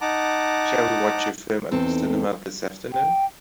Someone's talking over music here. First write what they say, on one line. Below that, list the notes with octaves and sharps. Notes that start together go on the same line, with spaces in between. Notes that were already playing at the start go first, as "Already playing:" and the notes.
Shall we watch a film at the cinema this afternoon?
D#4 F#5 A5 A#5 D6
E2 C4 D#4 A4
G5